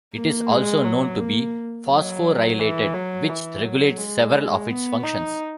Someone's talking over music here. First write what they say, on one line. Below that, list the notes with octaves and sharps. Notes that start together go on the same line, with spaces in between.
It is also known to be phosphorylated which regulates several of its functions.
A#3
G#3
F#3
A#3
F#3
E3
F#3
E3
F#3
G#3
B3
D#4